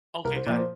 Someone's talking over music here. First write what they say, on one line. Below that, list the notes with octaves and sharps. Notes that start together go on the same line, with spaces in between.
Okay, got it.
C2 A#4
C5
A#2 F3 A#3 D5
C5